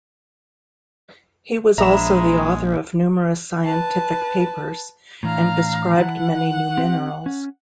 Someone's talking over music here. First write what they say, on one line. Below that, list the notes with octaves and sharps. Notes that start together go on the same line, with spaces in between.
He was also the author of numerous scientific papers, and described many new minerals.
A#1 G#3 E5 A#5 B5 E7
B4 A5
A2 E3 D4 F5 A#5
E3 E4 F#5 A5
C4 G4
C#4